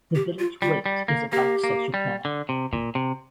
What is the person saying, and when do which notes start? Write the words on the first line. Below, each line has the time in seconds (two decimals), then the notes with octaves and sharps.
The Village Wait is about such a fair.
0.15 G4
0.39 F4
0.62 G3 F4
0.86 G3
1.08 A#3
1.32 A#3 G4
1.64 A#3
1.94 G3
2.25 D3
2.49 C3
2.73 A#2
2.95 C3